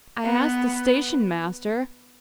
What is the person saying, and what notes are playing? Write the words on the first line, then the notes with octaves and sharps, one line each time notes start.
I asked the station-master.
B3